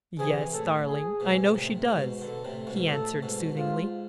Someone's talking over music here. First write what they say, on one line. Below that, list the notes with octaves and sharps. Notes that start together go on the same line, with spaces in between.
"Yes, darling, I know she does," he answered soothingly.
C3 E3 G#4
A2 A4
G#4
G#2 B2
A2 C3
G#2 B2
B2 D3 A4
A2 C3
G#2 B2
B2
A2 A4
G#2 B2
G#2 F4